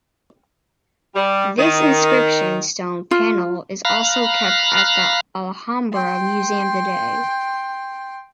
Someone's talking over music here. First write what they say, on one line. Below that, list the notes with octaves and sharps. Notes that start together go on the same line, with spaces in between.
This inscription stone panel is also kept at the Alhambra Museum today.
G3
D#3
F4
F5 A#5 B5 F6 F#6
G5 C6